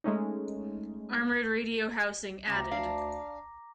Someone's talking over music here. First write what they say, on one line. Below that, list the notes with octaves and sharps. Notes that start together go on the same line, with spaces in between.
Armoured radio housing added.
G#3 A3 C#4 D#4
D2 C#3 A#5 D6 A#6
D4 F5